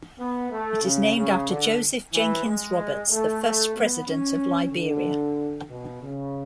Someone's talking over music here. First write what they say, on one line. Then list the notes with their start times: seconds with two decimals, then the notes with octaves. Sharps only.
It is named after Joseph Jenkins Roberts, the first president of Liberia.
0.18 B3
0.50 A3
0.82 C#3
1.15 C#3
1.48 D3
2.12 E3
2.45 G#3
3.10 A3
3.42 A3
3.75 B3
4.07 C#4
4.71 D3
5.69 B2
6.02 C#3